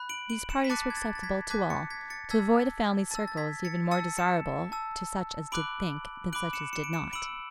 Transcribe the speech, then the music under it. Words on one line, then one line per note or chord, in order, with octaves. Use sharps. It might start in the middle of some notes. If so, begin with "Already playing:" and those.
These parties were acceptable to all; to avoid a family circle was even more desirable to such as did think, than such as did not.
Already playing: B5 F#6
D7 F#7
D7 F#7
C#7 E7
B6
A5 D6 F#6 A6 C#7
G#6
A6
A6
G#6 B6
A5 D6 F#6 G#6 B6
A6 C#7
G#6 B6
A6 C#7
A5 E6 G#6 B6
A5 E6 A6
A6
G#6 B6
A6 C#7
A5 E6 A6 C#7
C#7 E7
A5 E6
B5 D6 F#6 D7 F#7
B5 D6 F#6 D7 F#7
C#7 E7
C#7 E7
D7
C#7 E7
B5 E6 D7 F#7